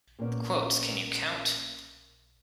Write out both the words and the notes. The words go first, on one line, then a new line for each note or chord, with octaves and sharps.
The quotes, can you count?
A#2 A#3 B3 C#4 D5